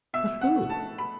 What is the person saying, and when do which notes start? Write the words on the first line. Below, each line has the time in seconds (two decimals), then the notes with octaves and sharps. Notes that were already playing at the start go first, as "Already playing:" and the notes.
"But who?"
0.13 B2 E5
0.41 F#5
0.55 A3
0.70 A5
0.98 B5